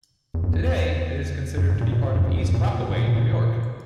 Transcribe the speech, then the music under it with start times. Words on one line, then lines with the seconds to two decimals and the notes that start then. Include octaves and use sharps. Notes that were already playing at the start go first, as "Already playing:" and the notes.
Today, it is considered to be part of East Rockaway, New York.
0.34 E2
0.44 F#2
0.53 E2
1.57 F#2
1.70 G#2
1.81 A#2
1.92 B2
2.03 G#2
2.15 F#2
2.27 F#2
2.36 E2
2.44 F#2
2.54 A#2
2.63 B2
2.80 B2
2.90 G#2
2.98 A#2
3.08 B2
3.15 A#2
3.33 A#2